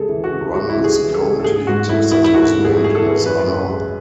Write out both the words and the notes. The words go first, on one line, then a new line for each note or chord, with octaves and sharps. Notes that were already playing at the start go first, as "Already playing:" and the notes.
Runnels County, Texas was named in his honor.
Already playing: C#2 G#3 G#4 A4
E3
F#4
C#3
G#3 F#4
E4
C#2 F#4
G#4
E3
A4
C#3
A4
G#2 G#4
G#2 F#4
A3 E4
E3 E4
E4
G#2 F#4
G#2
G#4
A3 G#4
A4
E3
F#2 B4
F#2
G#3